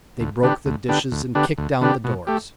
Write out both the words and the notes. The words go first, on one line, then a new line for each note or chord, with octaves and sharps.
They broke the dishes and kicked down the doors.
D2
D3 B3 D4 G4
D2
D3 B3 D4 G4
D2
D3 B3 D4 G4
D2
D3 B3 D4 G4
B2
A3 G4